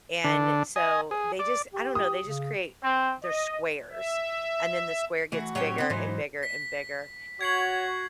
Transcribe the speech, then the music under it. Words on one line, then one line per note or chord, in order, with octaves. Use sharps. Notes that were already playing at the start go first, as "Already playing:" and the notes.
And, so, they just I don't know, they just create they're squares, and then the square gets bigger and bigger and bigger.
D3 D4
D#5 G#5
G#4
D5
G4
D#6
C#3
C4
D#5
E5
E3 A3 F#4
A2 F#3 C4 G4 C#5 G5
B3 C4
G#2 E3 F#3 D#4 C5
B6
F#4 C#5 G#6 C7 F#7